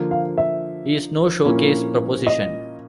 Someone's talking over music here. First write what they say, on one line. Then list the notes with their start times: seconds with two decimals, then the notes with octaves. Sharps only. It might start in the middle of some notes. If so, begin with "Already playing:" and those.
He's no showcase proposition!
Already playing: D3 F3 A#3
0.11 F5
0.38 E5
1.45 A#2 F3 A#3 C#4 E4
2.27 D#5